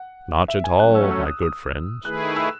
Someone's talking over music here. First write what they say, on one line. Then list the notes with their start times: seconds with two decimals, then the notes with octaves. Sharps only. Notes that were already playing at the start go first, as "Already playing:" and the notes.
"Not at all, my good friend."
Already playing: F#5
0.48 E5
0.64 G#5
0.80 F#3 A3 C#4 F#6
0.95 E6
1.11 E6
1.26 D#6
1.42 D#6
2.05 D#3 A3 E4 G#4 B4 F#6
2.36 E6